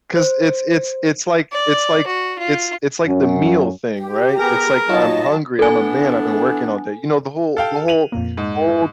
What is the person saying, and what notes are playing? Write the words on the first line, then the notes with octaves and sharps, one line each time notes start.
'Cause it's it's it's like it's like it's it's like the meal thing, right? It's like, "I'm hungry. I'm a man. I've been working all day." You know the whole the whole the whole
C5
D5
F#4
F4
F#2 F#3 C#4
G4
B3 G#4 A#4 A#5
F#3 D#4 F4 C#5 D#5 A5
E3 B3 D4 A4 G#5
G4 A4 F5 G5
D#7 F7 F#7
F2 A#2 A#3
G#2